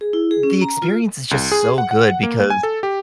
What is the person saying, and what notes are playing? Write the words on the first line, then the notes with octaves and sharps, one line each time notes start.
The experience is just so good because,
G#4
E4
G#4
C#4
A#5
F4
C2
G#4
F#5
F#5
A#3
G#5
A4
G4